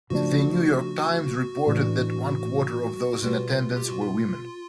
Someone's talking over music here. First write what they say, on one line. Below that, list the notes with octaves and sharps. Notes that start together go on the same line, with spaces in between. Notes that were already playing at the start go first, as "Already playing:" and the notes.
The "New York Times" reported that one-quarter of those in attendance were women.
C#3 F3 A3 D4 F#4
A2 E3 A3 D4
B2 G3 B3 F4
G4
F#4
F4